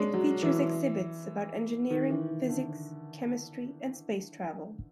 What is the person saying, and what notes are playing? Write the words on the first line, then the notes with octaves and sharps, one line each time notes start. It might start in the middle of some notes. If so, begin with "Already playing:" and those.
It features exhibits about engineering, physics, chemistry, and space travel.
Already playing: G#3 C#4 D4
F#3
E3
D#3
E3
D#3
D3